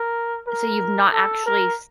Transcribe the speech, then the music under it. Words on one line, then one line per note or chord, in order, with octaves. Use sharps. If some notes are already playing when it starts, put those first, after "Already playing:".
so you've not actually
Already playing: A#4
A#4
A4
A#4